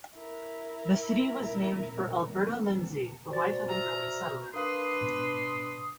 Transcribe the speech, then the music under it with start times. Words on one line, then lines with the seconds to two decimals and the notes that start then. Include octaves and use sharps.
The city was named for Alberta Lindsey, the wife of an early settler.
0.15 E4 A#4
3.30 F#4 C5 D5 A6
3.69 E5 A#5 E6 F6
4.54 D4 A#4 B4 F5 C6 D#6
5.01 G#2 B2